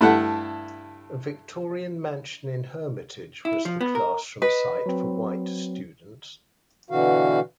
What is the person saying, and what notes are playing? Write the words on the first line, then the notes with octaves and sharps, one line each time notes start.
A Victorian mansion in Hermitage was the classroom site for white students.
G2 A3 E4 F#5
E4
F3
B3
A#4
B4 D#5
F#3 C4
B2 D3 E3 F#4 F5